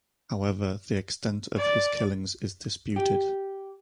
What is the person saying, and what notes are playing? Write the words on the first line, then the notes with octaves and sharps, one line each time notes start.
However, the extent of his killings is disputed.
D5
G4